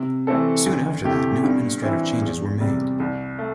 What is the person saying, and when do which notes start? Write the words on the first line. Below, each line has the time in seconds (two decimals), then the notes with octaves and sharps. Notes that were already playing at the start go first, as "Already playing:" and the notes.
Soon after that, new administrative changes were made.
Already playing: C3
0.27 E3 A3 C4 A4
0.66 D2
1.05 C3 A3 E4 G4
1.44 G2
1.82 E3 C4 E4
2.22 E2
2.60 C3 G3
3.00 C2
3.39 A3